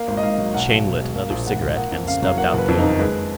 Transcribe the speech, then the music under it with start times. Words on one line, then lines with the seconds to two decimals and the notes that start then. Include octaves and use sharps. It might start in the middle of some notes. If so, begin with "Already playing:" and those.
He chain-lit another cigarette and stubbed out the old one.
Already playing: A#3 F5
0.08 G#1
0.17 D#5
0.23 G#2 F5
0.38 F#3
0.54 B1 F#5
0.69 B1
0.85 B2
1.00 G#3
1.15 A#3 F5
1.30 A#1
1.46 G#2 F#5
1.62 F3
1.76 A#3 F#5
1.92 F2
2.07 C#3 F5
2.22 F#3 F5
2.38 A#3 F#5
2.53 F#1
2.58 B4
2.68 F2
2.78 D#4
2.84 D#3
2.99 G#3 B4